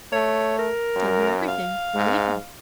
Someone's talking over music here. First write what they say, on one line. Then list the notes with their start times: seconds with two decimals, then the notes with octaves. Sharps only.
"Tell him everything, and leave him."
0.12 A3 C#5
0.59 A#4
0.96 F#2
1.48 F5
1.95 G#2